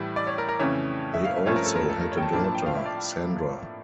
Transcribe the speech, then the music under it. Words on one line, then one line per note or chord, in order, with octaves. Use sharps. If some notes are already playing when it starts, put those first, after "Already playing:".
They also had a daughter, Sandra.
Already playing: A2 E3 G3
D5
C#5
A#4
A#4
F2 C#3 E3 A3 C#4 C#5
E5
F5
E5
G2 F3 A3 C#4 C#5
A#4
A4
A#4
A4
A#4
C#5
G5
A5
A2 F3 A#3 D4 A5
A5
G5
F5
E5
D5